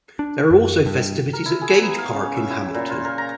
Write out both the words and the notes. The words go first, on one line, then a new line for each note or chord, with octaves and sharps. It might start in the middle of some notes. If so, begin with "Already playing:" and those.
There are also festivities at Gage Park in Hamilton.
D4
F#2
G2
A#4
E4
G#4
B3
F5
C#3
E5
E4
A#2
F4
A#4
A#5